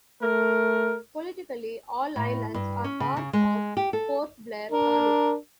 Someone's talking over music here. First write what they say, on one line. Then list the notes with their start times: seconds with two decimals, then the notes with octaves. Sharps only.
Politically, all islands are part of Port Blair Taluk.
0.21 A3 A#4
2.16 A2
2.54 G2
2.84 C#4
3.00 C#3
3.17 C#3
3.33 G#3
3.77 G4
3.93 A4
4.72 D4 A#4